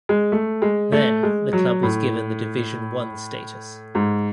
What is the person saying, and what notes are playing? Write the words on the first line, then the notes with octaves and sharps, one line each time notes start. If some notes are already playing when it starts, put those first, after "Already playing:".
Then, the club was given the Division One status.
G#3
A3
G#3
A3
G#3
F#3
A2
G#2